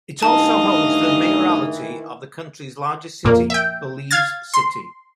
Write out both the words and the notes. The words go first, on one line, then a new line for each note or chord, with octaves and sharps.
It also holds the mayoralty of the country's largest city, Belize City.
G2 D#3 E3 A3 D#4 D#5 F5 A5
F2 A#2 A#3
E5 G5
F5 F6 G#6 A6
C6